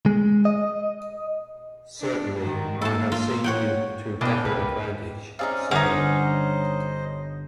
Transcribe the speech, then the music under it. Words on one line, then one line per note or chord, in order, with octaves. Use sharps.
Certainly I have seen you to better advantage, sir.
G#3
D#5
D4
G#2 D#3
A#3 A4 A5
F4
C#5 F#5 G5
B2 E3 A#3 D4 D#5 G5
C#2 B4
C4 C#4 D#4 G#4 D5 F5
G1 C#4 D#4 C5 D5 D#5 F#5